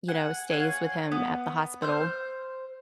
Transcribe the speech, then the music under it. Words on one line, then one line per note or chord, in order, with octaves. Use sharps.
you know, stays with him at the hospital
F#5 G#5
C#5 F5 F#5 G#5
B3
C5 F6 G6